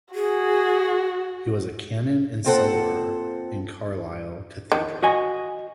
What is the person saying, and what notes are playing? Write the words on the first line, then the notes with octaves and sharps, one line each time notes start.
He was a canon and cellerer in Carlisle Cathedral.
F#4 G#4
A#3 C4 F4 A4 C5 F#5
D#3
F#4 D#5 G#5